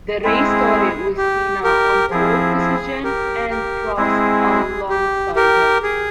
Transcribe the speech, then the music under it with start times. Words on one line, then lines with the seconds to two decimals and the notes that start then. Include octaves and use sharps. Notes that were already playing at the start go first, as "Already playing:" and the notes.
The race started with Senna on pole position and Prost alongside him.
0.24 G#3 C4 E4 G#4
1.18 G4
1.63 G4 A#4
2.10 F3 C4 E4 G#4
2.57 G#4
3.03 G4 A#4
3.50 G4 A#4
3.97 G#3 C4 E4 G#4
4.89 G4
5.36 G4 A#4
5.83 G#4